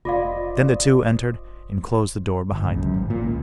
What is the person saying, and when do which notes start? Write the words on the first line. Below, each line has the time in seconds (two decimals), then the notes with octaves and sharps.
Then the two entered and closed the door behind them.
0.05 F1 F4 C5 D5 D#5 F5
2.52 G1
2.65 C#2
2.78 F#2
2.94 G#1
3.10 A#2
3.23 C#2